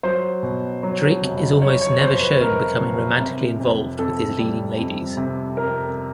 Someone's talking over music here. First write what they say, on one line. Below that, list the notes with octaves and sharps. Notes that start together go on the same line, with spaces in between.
Drake is almost never shown becoming romantically involved with his leading ladies.
F#3 C5
B2
F#3
F1
F#3 C#5
C#5
F1 C5
B4
F1 A#4
F1
C3
F2
F2 A4
G3
F2
C3
F2 A#4